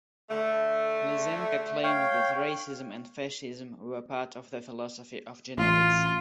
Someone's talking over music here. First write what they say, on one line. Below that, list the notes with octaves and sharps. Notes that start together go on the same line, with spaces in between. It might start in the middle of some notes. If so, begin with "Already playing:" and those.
Lysenko claimed that racism and fascism were part of the philosophy of genetics.
D3 A3
C#5 F5 G5
A1 F4